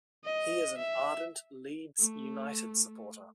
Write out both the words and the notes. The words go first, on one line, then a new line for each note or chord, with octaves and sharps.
He is an ardent Leeds United supporter.
D#5
E5
A3